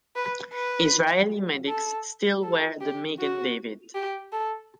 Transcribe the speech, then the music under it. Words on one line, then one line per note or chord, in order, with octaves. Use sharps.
Israeli medics still wear the Magen David.
B4
B4
A4
A4
G4
F#4
G4
A4